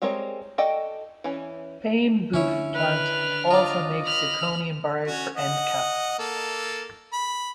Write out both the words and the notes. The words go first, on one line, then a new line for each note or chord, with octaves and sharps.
Paimboeuf plant also makes zirconium bars for end caps.
G3 G#3 C4 A#4 C#5
F#4 A4 D5 D#5 G5
E3 C#4
D3 C#4 E4 C#5
D4 B4 F6
F4 D5 D#5
B5 F6
C#4 F#4
D#5 F#5
A#3 A4
B5